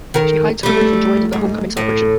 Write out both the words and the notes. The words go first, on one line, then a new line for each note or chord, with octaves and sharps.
She hides her grief and joins in the homecoming celebration.
D#3 A#4
G3 A3
G#2
A2